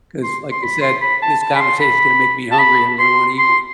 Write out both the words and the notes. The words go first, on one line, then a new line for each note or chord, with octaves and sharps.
'cause like I said, this conversation is gonna make me hungry, I'm gonna wanna eat one.
C6
C6
B5
C6
B5
A5
A5
B5
C6
B5
A5
B5
C6
C6